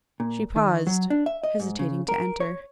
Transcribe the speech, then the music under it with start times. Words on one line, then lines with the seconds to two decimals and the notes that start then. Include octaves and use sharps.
She paused, hesitating to enter.
0.20 A#2
0.56 D#3
0.87 F#3
1.10 D4
1.26 E5
1.44 D#5
1.60 G#2
1.79 C#3
2.09 A#4
2.40 C#5